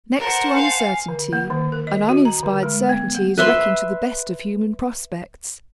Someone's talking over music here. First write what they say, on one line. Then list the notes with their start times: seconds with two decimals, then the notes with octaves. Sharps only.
Next to uncertainty, an uninspired certainty is wrecking to the best of human prospects.
0.18 A#4 C5 F#5 A5
0.56 F5 G#5
1.08 D3
1.33 A#3
1.50 D#3
1.72 A#4
1.87 D#5
2.09 F#4
2.25 A#5
2.43 D3
2.63 G#3
2.89 B3
3.15 A#3
3.38 B4 E5 C6